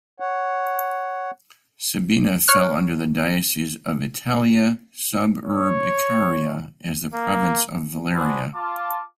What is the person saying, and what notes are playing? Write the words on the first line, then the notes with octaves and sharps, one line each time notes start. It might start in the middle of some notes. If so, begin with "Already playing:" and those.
Sabina fell under the diocese of "Italia suburbicaria" as the province of "Valeria".
C#5 F#5
C#5 F6 F#6
C#5
A#3
D4 F#4 G#4 B4 C5 D5
F4 A5 D6